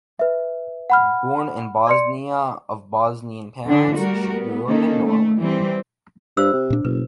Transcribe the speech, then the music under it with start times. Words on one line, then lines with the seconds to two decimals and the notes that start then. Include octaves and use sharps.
Born in Bosnia of Bosnian parents, she grew up in Norway.
0.19 B4 E5
0.90 F#5 B5 F6
1.87 D5 C6 C#7
3.67 D3 C#4 D4
3.96 G3 A3 F#4 A#4
4.35 B3
4.67 D#3 A#3 C#4 A4
5.05 A3
5.40 E3 G3 C4
6.37 G2 F4 C5 E6
6.53 C3
6.70 A#2 D4
6.85 F#1 B2 B4